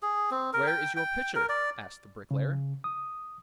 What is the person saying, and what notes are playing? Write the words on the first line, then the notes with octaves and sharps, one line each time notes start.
'Where is your pitcher?' asked the bricklayer.
G#4
C4
A#4
G5
G5
A#4
D5
C#3
D#6